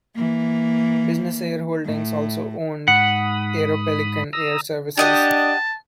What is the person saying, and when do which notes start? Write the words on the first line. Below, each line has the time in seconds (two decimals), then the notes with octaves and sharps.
Business Air Holdings also owned Aeropelican Air Services.
0.15 E3 A#3
1.85 A2
2.88 G#2 F#5 B5 D#6
4.33 A#5 D#6 E6
4.98 D4 G4 D#5 F#5 A5